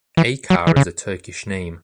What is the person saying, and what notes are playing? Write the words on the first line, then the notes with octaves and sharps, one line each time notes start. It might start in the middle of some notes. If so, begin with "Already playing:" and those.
Acar is a Turkish name.
E3
F#3
E3
C#3